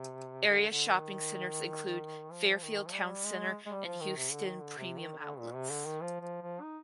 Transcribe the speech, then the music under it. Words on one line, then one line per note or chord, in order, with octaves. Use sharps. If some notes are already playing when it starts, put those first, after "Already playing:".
Area shopping centers include Fairfield Towne Center and Houston Premium Outlets.
Already playing: C3
D3
D3
D#3
F3
D#3
F3
G3
G#3
G#3
G3
F3
D#3
C3
D3
D#3
D3
C3
D#3
D3
A#2
C3
D3
D#3
F3
F3
F3
D#4